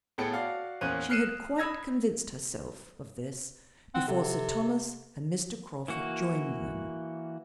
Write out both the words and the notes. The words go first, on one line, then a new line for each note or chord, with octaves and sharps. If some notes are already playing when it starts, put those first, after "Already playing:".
She had quite convinced herself of this before Sir Thomas and Mr. Crawford joined them.
A2 B3 G#4 A4 G5 C#7
F#4 D5 F5
E2 A#3 C#4 C5 F#6 D#7
F6 F#6 C7 C#7 D#7 E7
B5 D#6 E6 G#6 A#6
C4 F#5
C3 A4
E3 A#3 F#4